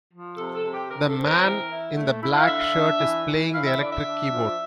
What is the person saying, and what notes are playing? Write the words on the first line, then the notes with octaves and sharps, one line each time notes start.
The man in the black shirt is playing the electric keyboard.
F3
C3 A4
A4
C3
G4
D3 A#4
A4
C4
A#4
E3
E4
A3
E4
F5
D3 E5
D4
E3
E3
E4 F5
E5
D3 D5
E5
D4
F3